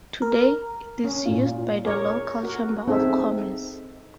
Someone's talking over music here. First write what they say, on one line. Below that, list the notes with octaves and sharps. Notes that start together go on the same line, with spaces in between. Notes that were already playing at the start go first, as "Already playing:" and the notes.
Today it is used by the local chamber of commerce.
A#4
C#4
A#2 F4
G#4 A#4 C#5 D6
F#4 A#4
C4 D#4 G#4 A4 E5